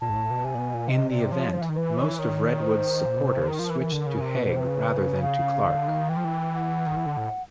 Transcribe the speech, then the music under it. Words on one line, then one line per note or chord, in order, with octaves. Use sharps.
In the event, most of Redwood's supporters switched to Hague rather than to Clarke.
A#2 A5
G#2
A2
B2
C3 G#5
A#2
B2
A#2
C3 D#5
D5
F3 C#5
F3
E3
D#3
E3 B4
C#5
D#3 C#5
C5
A#2
B2
C3
C#3
D3
D#3 A#4
F3
E3
E3
D3
C#3
C3
B2 B4
B2 C5
C3 B4
C#3
F5
D3
D#3
E3 G5
F3
E3
G5
F#5
D#3
E3
D3
A2